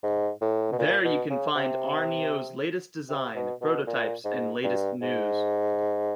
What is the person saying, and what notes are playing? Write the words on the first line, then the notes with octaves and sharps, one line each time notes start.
There you can find Aarnio's latest design, prototypes and latest news.
G#2
A2
B2
A#2
B2
C#3
C3
C3
B2
B2
A#2
G#2
G2
G#2